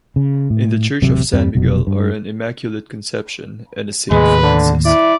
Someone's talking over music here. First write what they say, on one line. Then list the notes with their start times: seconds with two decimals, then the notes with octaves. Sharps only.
In the church of San Miguel are an "Immaculate Conception" and a "Saint Francis".
0.16 C#3
0.50 A2
1.02 E1 A1 C3 F#3
1.33 E2 G2 G3 C4
1.55 F1 B2 F#3
1.87 G2
4.11 D#2 A2 C3 G#3 B4
4.43 D3
4.85 E4 D5